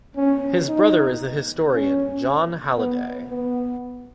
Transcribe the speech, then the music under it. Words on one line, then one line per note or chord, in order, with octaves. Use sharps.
His brother is the historian Jon Halliday.
C#4
D#4
C#4
B3
B3